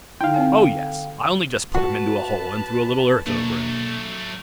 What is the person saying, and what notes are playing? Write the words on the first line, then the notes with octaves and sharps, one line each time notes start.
'O yes, I only just put him into a hole, and threw a little earth over him.
D3 D#4 E4 F5 G5
C4 C#5 G#5
F#4 B4 A5
B2 F#3 A3 A#3 D4